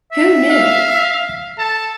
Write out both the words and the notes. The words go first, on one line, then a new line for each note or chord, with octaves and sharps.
Who knew?
E5
F5
A4 A5